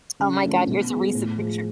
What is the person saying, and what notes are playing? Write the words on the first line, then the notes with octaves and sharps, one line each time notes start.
Oh my God. Here's a recent picture.
C#3
F3 A3 D4
B2
G#3 B3 F4
A2
F3 G#3